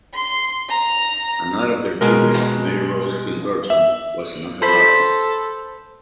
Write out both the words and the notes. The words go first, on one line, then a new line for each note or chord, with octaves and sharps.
Another of their children, Mary Rose Hill Burton, was a notable artist.
C6
A#5
B2 G#3 A#4
E5
A4 C5 B5